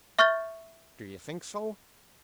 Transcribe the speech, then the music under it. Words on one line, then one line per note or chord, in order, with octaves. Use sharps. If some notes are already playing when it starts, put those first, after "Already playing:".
"Do you think so?"
E5 C#6 F6 G6 A6 G7